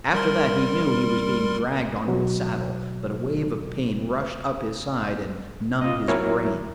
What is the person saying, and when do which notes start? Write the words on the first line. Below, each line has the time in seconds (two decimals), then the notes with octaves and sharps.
After that he knew he was being dragged onto a saddle, but a wave of pain rushed up his side and numbed his brain.
0.13 G3 A#4 C6
2.08 B2 F#3
5.81 F4 D#5
6.08 F#3 A#3 E4 A#4 C#5